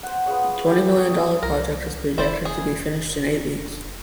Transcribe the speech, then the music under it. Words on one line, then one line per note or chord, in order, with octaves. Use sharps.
The twenty million dollar project is projected to be finished in eight weeks.
C5 F#5
B3 F4 G#4 C#5
G4 A4
F#3 D#6
C2 A#4
F1 E4 C5 D5
G#4